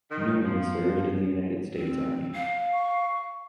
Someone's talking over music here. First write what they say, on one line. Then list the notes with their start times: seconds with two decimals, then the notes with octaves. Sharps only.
Newman served in the United States Army.
0.10 D#3
0.44 F#2 F3 B3
1.76 C4
2.33 F5
2.73 C#6